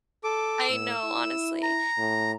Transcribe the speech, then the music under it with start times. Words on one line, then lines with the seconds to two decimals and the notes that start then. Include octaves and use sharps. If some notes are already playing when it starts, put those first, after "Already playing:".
I know, honestly,
0.24 A4 D6
0.69 A2 E6
1.04 E4
1.63 A#5
1.98 A2